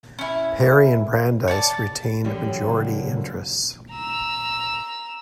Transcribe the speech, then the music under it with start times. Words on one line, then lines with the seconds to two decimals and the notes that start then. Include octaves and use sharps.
Perry and Brandeis retained majority interests.
0.19 C#4 E4
1.48 C#5 D5 A5
2.25 F#2 D3 E3 G3 C#4
2.70 C#3 A#3 E4
3.93 A#5 E6